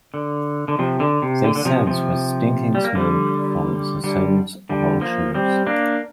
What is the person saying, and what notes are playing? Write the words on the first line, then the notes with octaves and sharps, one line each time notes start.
They cense with stinking smoke from the soles of old shoes.
D3
D3
C3 F3
D3
C3
D3
D3
C3 F3
C3 F3
G3
A#3
D3 G3
D3 G3
D3 G3
F3 A#3
G3 C4
A#3 D4